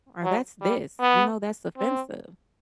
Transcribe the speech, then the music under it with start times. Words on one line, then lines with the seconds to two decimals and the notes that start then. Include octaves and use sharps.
or "That's this," you know, "That's offensive,"
0.23 F#3
0.61 G3
1.00 B3
1.77 C4